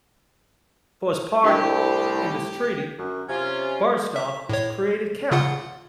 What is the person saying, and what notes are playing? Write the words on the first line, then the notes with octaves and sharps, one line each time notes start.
For his part in this treaty Bernstorff was created count.
C2 A2 D4 G4 A#4 G5
F#2
C3 C#4 F4
E5
A2 C#5
C#3 F4 F#5